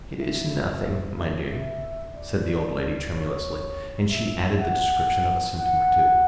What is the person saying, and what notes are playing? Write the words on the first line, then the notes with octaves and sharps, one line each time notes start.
"It is nothing, my dear," said the old lady tremulously; and she added the description of a symptom or two.
E5
E5
D5
C#5
E5
F#5
F#5